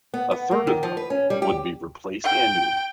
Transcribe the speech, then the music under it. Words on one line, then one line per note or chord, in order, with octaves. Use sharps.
A third of them would be replaced annually.
B3
B3
A#3
D#3
F3
B4
C#4
G3
G4
G5